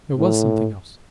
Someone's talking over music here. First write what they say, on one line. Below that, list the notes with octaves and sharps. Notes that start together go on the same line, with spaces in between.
There was something else.
A2